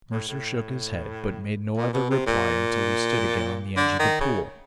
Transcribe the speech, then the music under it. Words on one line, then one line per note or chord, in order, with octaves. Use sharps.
Mercer shook his head, but made no other reply until we stood again on the edge of the pool.
A2
A2
A#2
B2
C3
A#2
D3
D#3
C#3